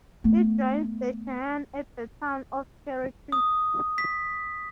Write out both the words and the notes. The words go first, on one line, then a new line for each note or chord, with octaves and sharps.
It joins the Cheyenne at the town of Cherry Creek.
A3 B3
D#6
B6